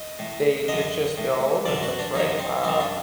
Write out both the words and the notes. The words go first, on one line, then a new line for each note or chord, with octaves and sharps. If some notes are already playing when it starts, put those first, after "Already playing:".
they they're just they're all over the place, right? Um,
Already playing: D#5
A2
F#2 D3 D#5
A2
F#2 D3 D5
F#4
D4
F#2 D3 D#4
C4
F#2 D#3 C4
D4